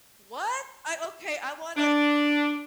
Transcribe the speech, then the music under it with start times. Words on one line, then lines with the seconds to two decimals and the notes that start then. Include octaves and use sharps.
What? I okay, I wanna
1.77 D4